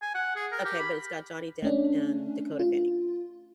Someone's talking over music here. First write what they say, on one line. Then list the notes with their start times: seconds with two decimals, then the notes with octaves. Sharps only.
Okay, but it's got Johnny Depp and Dakota Fanning.
0.02 G#5
0.15 F#5
0.36 G#4
0.52 A#4
0.65 G4
0.79 B5
1.63 A3 C#4 D4
2.59 F4